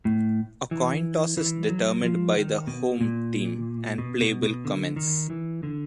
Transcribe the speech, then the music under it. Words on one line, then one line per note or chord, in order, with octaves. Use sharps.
A coin toss is determined by the 'home' team and play will commence.
A2
E3
E3
F#3
F3
D#3
B2
A#2
B2
B2
B2
D3
D#3
E3
D3